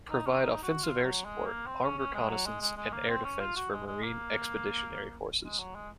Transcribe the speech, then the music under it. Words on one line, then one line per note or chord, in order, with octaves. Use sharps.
Provide offensive air support, armed reconnaissance, and air defense for Marine expeditionary forces.
D#4
C#4
D#4
F#4
F4
F#3
G#3
A#3
C4
C#4
C#4
G#3
F#3
G#3
G#3
G#3
A#3
C4
C#4
F4
F#4
G#3
G#3
A#3
G#3
F#3
G#3